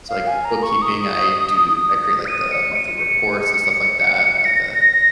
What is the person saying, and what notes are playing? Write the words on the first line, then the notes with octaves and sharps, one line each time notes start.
so, like, bookkeeping, I do I create like the monthly reports and stuff like that, like a
F5
G#5
A#5
C#6
D#6
D#7
C#7
D#7
C#7
A#6